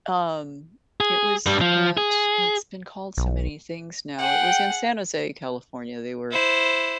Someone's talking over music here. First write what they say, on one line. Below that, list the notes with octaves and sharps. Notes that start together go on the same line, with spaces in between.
Um, it was at, it's been called so many things now, it was in San Jose, California, they were,
G#4
G2 G3
F3
G#4
B1
G#4 F#5 G5
E4 C5